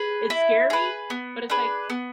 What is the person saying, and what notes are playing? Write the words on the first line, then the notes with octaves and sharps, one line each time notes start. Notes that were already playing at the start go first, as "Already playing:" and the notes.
it's scary, but it's, like,
Already playing: G#4 B4
E4
G#4 B4
B3
D4 G#4 B4
B3